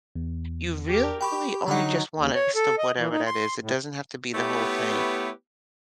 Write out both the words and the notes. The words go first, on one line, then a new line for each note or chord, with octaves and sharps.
you really only just want it as to whatever that is, it doesn't have to be the whole thing.
E2
G4 A#4
G4 G5 B5 C#6
D3 F#3 D#4 F#5 A#5
D#2
C#5
A4
D#5
E3
D#4
C6
A2
A3 B3 E4 G4 B4 C#5